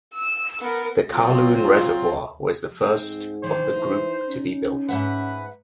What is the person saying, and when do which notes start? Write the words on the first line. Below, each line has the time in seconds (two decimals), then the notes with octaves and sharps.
The Kowloon Reservoir was the first of the group to be built.
0.15 E6
0.61 B3 A#4
1.12 F#3 C4 F4
2.81 G#2 C4
3.43 D#3 E3 C5
3.73 E3 D#4
4.28 C#4
4.89 G#2 B4 E5 F#5